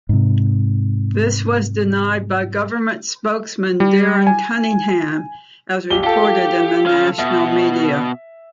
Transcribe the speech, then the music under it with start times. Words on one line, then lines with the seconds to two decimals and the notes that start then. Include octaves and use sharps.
This was denied by government spokesman Darren Cunningham, as reported in the national media.
0.09 G#2 C3
3.80 G3
4.27 G#5
5.90 A#1 G4 G7
6.03 F4 G4 A4
6.86 C#4 F5
7.19 B2 E5